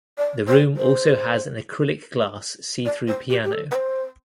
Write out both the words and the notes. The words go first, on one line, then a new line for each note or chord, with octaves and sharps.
The room also has an acrylic glass see-through piano.
D5
C5
C5
D5
C5
G4
G4
A4
B4
C5